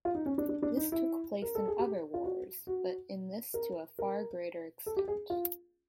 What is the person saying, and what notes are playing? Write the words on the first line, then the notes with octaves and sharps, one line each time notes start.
This took place in other wars, but in this to a far greater extent.
F4
D#4
C#4
D4
D4
D4
D#4
E4
A#4
A4
G#4
G4
F4
F#4
F#4
A#4
A#4
A4
G4
G#4
F4